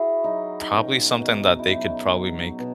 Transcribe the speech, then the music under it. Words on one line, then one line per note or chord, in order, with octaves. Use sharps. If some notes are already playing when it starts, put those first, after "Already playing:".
probably something that they could probably make
Already playing: E4 F#4 G#4
F#3 D#4
D#4
B2 C#4
B2
E4
F#3 D#4
F#3
B2